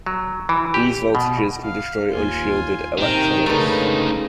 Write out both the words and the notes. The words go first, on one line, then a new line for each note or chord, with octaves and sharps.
These voltages can destroy unshielded electronics.
F#3
E3
G4
B2
F5
D#2 F4 G#5
C3 D#3 G5 A#5
D2 C#3 G#3 A3 D#4 A#4 B4